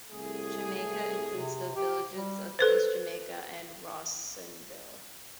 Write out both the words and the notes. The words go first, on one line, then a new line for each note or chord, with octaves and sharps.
Jamaica includes the villages of East Jamaica and Rawsonville.
C2 A3 G#4
C3
G4
G3
A4 B4 C5